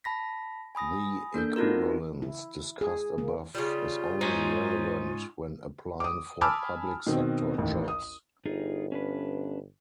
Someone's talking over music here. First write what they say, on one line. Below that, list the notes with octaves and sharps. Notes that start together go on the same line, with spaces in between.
The equivalence discussed above is only relevant when applying for public sector jobs.
A5 B5 A#6 B6
G#5 B5 D#6 A#6
A#3 D4 A4 G6
C4 D#4 F4 F#4 A#4
E4
G#4
A#3
C#3 G3 F4
G#2 C#4 D#4 C5
D6 D#6
G#5 A5 B5 D6 E6 F6
B2 D#3 C4
A1 D#2
D#6
G1 D#4 F4 G#4
C#4 D4 B4